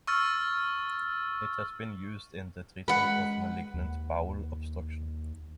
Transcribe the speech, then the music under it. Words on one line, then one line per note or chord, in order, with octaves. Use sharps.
It has been used in the treatment of malignant bowel obstruction.
C#6 E6 F6 A6
G#3 B4 F#5
D#2